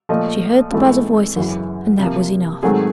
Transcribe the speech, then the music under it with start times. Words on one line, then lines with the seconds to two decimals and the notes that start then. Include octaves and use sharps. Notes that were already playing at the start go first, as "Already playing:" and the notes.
She heard the buzz of voices; and that was enough.
0.09 A#2 F3 A3 D#5
0.73 G#2 E3 A3 C4
1.36 F#2 C#3 E3
1.99 C3 F3 A#3
2.63 G#2 D#3 F#3 A3 C4 G#4